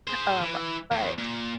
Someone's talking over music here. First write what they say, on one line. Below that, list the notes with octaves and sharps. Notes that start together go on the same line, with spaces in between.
um, but,
G#4 C5
E3
E2
A#2